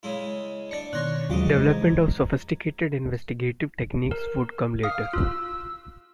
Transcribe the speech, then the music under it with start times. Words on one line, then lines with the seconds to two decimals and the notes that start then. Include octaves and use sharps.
Development of sophisticated investigative techniques would come later.
0.03 C#3 G#3 E4
0.71 D4 D5 C#7
0.93 B2 D#3 C#5 C6 C#6 F#6 A#6
1.30 D#2 G#2 C#3 F#3 G#3 F4 D#5 D6
1.56 F2 E3 G#3
1.69 A#5 G#6
4.11 A#4
4.83 F5 D#6 F6
5.13 F4 E6